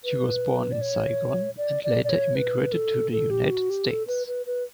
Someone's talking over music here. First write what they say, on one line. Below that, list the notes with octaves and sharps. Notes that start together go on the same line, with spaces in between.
She was born in Saigon, and later immigrated to the United States.
B4
D5
C#5
D5
D5
D5
C#5
B4
A4
A4
G4
F#4
G4
A4
B4
B4
B4